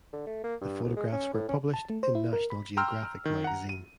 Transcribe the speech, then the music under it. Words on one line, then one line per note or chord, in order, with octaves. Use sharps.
The photographs were published in "National Geographic" magazine.
D3
A3
A#3
G2
C2
G#3
C#4
A2
C#4
A5
A3
C5
E4
A#4
B5
G5 A#5 C6 E6 F6
D#3
F#5 A#5
D#7